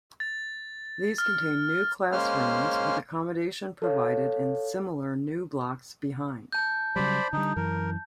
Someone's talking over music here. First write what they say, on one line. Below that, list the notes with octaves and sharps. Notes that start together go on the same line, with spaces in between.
These contained new classrooms, with accommodation provided in similar new blocks behind.
A6
F6
G#3 A#3 C#4 C5 F6
A4 C#5 F5
A5 G6
C#3 F#3 G3 C5 D5 B5
D3 G3 D#4
F#2 E3 A#4